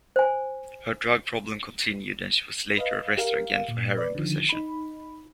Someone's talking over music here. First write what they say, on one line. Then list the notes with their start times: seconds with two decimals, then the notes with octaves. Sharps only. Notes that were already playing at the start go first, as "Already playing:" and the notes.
Her drug problem continued and she was later arrested again for heroin possession.
0.16 C5 G#5
2.77 B4 D#5 F5
3.17 G4 A#4 F5
3.68 A#2
3.97 B4 D5
4.15 D3 D#3 F3
4.49 D#4 B5